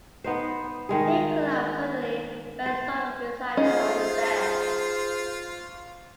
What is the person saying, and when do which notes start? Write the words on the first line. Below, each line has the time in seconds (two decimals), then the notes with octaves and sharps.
He collapsed suddenly, fell sobbing beside her on the bed.
0.24 B3 D#4 C5
0.89 D#3 G#3 G#4
2.66 C5
3.57 C#4 D#4 F4 G#4 C5 D#5